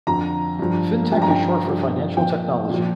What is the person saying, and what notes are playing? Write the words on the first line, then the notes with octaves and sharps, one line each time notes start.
Fintech is short for Financial Technology.
F2 D3 F3 A#5
G2 F3
G2 F3 G5
A#5
G5
G2 F3
A#2 F3 G5
A#2 F3